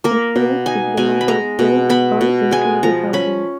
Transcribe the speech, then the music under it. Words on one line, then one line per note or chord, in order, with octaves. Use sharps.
Estimates of the number of bills run into the thousands.
A#3 A#4
B2
D#4 G#5
B2 G#5
B5
G#3 A#5
B2
B3 B5
B2
G#3 G#5
F3 A#5
C#4 B5